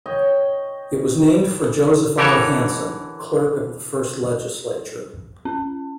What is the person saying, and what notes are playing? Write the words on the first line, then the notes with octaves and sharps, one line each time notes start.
It was named for Joseph R. Hanson, clerk of the first legislature.
C#5 D#5 G5
D3 E3 G4 A4 A#4 C#5
C#4